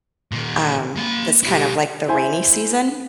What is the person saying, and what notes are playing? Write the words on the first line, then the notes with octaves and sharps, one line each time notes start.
um, that's kind of like the rainy season.
A#2 D#3
A#3 B5
E4 G4
E4 C5 G#5